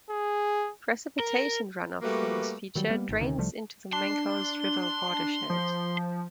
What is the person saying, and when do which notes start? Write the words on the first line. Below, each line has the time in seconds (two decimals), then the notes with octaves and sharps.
Precipitation runoff from this feature drains into the Mancos River watershed.
0.10 G#4
1.20 A#4
2.02 G3 A3 A#3 F#4 B4
2.75 D#3 F#3 G3
2.90 G3 A#3 B3
3.09 G#1 D#3
3.20 D2 C3 D#3
3.38 C2 F3 G3 A3
3.93 D4 C6
5.50 F3